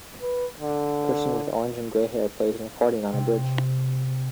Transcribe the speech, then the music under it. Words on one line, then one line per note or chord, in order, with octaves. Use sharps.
Person with orange and gray hair plays an accordion on a bridge.
B4
D3
C3